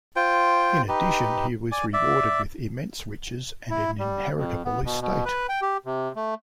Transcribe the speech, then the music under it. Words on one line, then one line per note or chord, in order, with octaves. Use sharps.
In addition, he was rewarded with immense riches and an inheritable estate.
F4 C5 G5
D#4 G4 B4
D5 G#5
D5 E5
E4
G3
F2
B3
B2
B2
B4
G5
G4
C3
A3